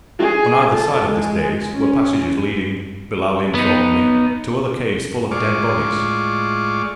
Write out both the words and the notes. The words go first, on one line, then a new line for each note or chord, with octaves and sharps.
On either side of this dais were passages leading, Billali informed me, to other caves full of dead bodies.
G#4
A4
G#3
C#4
B3 D#4
A2 G#3 F4 D5 C#6 D6